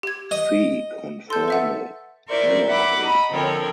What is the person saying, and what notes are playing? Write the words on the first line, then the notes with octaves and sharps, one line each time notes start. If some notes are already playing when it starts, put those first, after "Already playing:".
See conformal anomaly.
G4 G#6
D#5
A4 C6 G6
B4 E5 F#5
E4 A#4 C5 D5 C#6
E5 F#5 B5 D6
D#5 A#5 B5
D3 F3 C4 A4 A#4 C#5